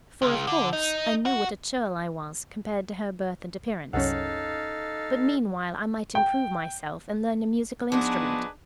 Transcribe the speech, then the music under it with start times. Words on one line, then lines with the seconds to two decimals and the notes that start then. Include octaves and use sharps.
For, of course, I knew what a churl I was compared to her birth and appearance; but meanwhile I might improve myself and learn a musical instrument.
0.22 C#2
0.47 D3
0.73 D#4
1.26 F#4
3.93 C2 F#2 C#4 D#4 A4 F5 F#5
6.15 G5
7.92 F3 B3 D4 D#4 F#4 G#4 B4